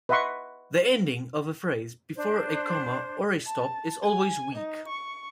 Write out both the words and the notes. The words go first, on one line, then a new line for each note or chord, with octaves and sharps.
The ending of a phrase, before a comma, or a stop, is always weak.
B4 D#5 E5 F#5 C6 C#6
D4 C5
A5
G#5
D#4
C#6